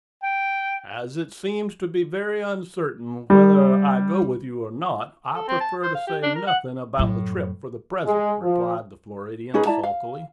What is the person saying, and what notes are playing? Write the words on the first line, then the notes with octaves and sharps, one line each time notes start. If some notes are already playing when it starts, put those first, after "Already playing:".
"As it seems to be very uncertain whether I go with you or not, I prefer to say nothing about the trip for the present," replied the Floridian, sulkily.
G5
G3
A4
C4
A5
C5
F5
G4
D4
A#4
F#5
F#2 A2
G#3
F3
C#4 D#4 G#4 B4
E4 D5 A5 A#5
F5